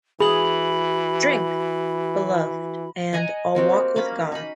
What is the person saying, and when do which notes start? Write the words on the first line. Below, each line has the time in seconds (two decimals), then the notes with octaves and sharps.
Drink!," "Beloved," and "I'll Walk With God.
0.20 E3 F#4 G#4 B5 F#7
3.13 D#5 F#5 G#5 A#5
3.55 A#3 C4 F#4 G4
3.96 A#3 C#4 B5
4.32 D#4 B5